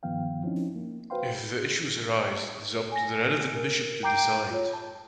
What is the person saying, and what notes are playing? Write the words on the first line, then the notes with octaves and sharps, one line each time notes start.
If the issue arises, it is up to the relevant Bishop to decide.
G2 D#3 F3 B3 F5 G5
F3 C4 C#4 D#4 E4
A#3
F#4 B4 C5 F5 G5 C6
G#5 A#6
A#4
G5 A#5 D6 G6 C7 D7
F4 C#5
A5